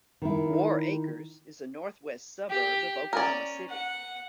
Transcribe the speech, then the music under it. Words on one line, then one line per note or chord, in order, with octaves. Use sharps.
Warr Acres is a northwest suburb of Oklahoma City.
D#3 E4
G4
C#4 A#4 D5
F#5